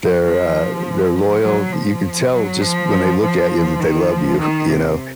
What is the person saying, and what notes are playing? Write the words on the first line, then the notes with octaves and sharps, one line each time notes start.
They're, uh, they're loyal. Th You can tell, just when they look at you, that they love you, you know?
F3
F#3
F3
F#3
F3
F3
D#3
F3
D#3
C3